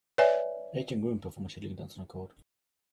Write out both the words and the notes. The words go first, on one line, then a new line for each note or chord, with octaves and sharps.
Eight young women perform a cheerleading dance on a court.
B4 C#5 D5 E5 G#5